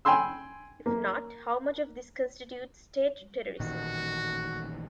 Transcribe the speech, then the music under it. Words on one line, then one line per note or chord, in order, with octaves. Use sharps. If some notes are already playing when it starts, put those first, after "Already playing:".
If not, how much of this constitutes 'state terrorism'?
G5 G#5 B5 C6 E6
A#3
A1 A#2 D#3 F#4